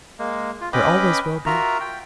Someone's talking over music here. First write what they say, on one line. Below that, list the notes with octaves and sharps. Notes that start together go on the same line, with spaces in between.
"There always will be."
G#3 A#3
F4
C#4 B4 D#5 G5 B5 D6
F4 F#4 A#4 E5 A#5
G5